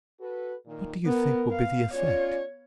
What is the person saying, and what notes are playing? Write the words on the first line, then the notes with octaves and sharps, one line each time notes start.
"What do you think will be the effect?"
F#4 A4 B4
A#2 D#3
B3 A#4
F5
C#4 F4 C#5 D5